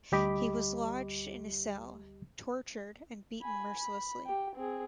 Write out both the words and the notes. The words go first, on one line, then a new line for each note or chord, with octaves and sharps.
He was lodged in a cell, tortured and beaten mercilessly.
D2 G3 G4 D#5 B5 D6
G#5 B5
B5
G4 G5
C4 G#4